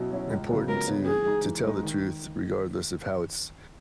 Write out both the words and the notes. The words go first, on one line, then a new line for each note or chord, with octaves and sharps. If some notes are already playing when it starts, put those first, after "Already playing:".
important to to tell the truth regardless of how it's
Already playing: B2 F#3 C#4 E4
F#3 C#4 E4
C#2
C#3 F#3 B3
C#2 A#4
C#3 F#3 B3
E3 G#4
G#3 D#4
E3
G#3 D#4
D#3